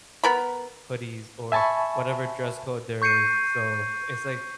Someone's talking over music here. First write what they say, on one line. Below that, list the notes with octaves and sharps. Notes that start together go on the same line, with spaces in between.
hoodies or whatever dress code there is, so, it's, like,
B3 A#4 B5
E5 G#5 A5 B5 C#6
C#6 G6 C7 C#7 D#7